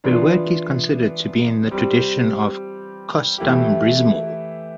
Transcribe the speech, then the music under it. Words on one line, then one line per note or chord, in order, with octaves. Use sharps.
Her work is considered to be in the tradition of "costumbrismo".
E3 B3 D4 F4
G3 C4 G4
E3 A3 E4 G4